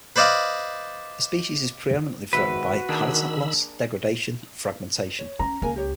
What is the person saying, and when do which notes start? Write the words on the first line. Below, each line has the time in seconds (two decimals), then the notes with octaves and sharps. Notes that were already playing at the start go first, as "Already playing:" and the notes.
The species is pre-eminently threatened by habitat loss, degradation and fragmentation.
0.16 B4 C5 D5 D#5 F5
2.33 G#1 F#4 B4 E5 F#5
2.89 D#3 A#3 D4 G#4 B5 E6
5.19 C#5
5.39 C#4 A#5
5.62 C#2 A#3 A#4 G#5
5.76 G4 C#5